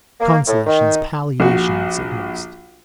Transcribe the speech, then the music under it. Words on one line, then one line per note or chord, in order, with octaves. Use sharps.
Consolations, palliations at most.
A#3
A2
D#3
A#1 F#4